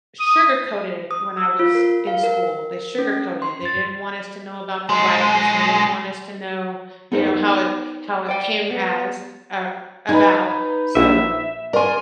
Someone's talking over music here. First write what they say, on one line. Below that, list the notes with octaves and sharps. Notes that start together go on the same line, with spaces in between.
sugar-coated when I was in school, they sugar-coated. They didn't want us to know about the violence, they didn't want us to know, you know, how it how it came as, or, about, so,
D#6
D#6
E6
F4
A#4
F5
A#4
C#4
C6
A6
B1 G#3
B3 D#4 A#4 C5
D5 G5
B3
D#4 B4 A#5 G#6
A#1 E5
A#4 D5 G#5 C6